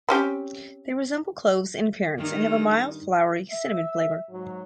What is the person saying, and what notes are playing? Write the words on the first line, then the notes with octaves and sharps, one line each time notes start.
They resemble cloves in appearance and have a mild, flowery cinnamon flavor.
C4 C#4 G4
G2 D#3 D#4
E5
G#2 F#3